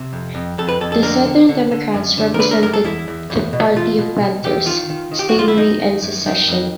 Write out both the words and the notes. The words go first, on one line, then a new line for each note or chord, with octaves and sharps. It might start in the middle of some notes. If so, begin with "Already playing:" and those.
The Southern Democrats represented the party of planters, slavery and secession.
Already playing: C3
F2
F2
F2 A4
B4
F2 A4
A4
D3 A#4
D3
D3
D3
F#2
D3
A#4
D3 B4
A#4
F#2 A#4
A4
E2 E4
E2
E2
B2
E2 F4
B2
B2
E2 G4
D#3 F4
D#3
D#3
G4
F#4
F#2 F4
E4
D#3 D#4
D#3
F#2
D#3
F2